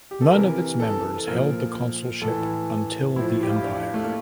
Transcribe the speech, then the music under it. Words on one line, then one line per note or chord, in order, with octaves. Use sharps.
None of its members held the consulship until the Empire.
G4
A4
C3 E3 A#4
A4
A4
A#2 F3 A#4
A2 E3 A4
A2 F3 E4
G4
F4
E4
D4
A3
A#3